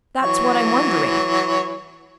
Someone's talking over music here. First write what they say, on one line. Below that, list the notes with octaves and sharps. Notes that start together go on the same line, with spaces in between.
That's what I'm wondering.
E3 F#3 C#5